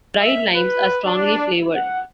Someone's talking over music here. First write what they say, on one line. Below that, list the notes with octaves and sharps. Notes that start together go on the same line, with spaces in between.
Dried limes are strongly flavored.
E5
B4
D4
F#5